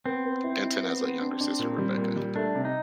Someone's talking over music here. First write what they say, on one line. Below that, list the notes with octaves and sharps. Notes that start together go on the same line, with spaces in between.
Denton has a younger sister, Rebecca.
B3 C4
B3
E4
E4
B3
B3
D4
D4
A#2
G3
A#2
G3
A3 D4
C3
D#4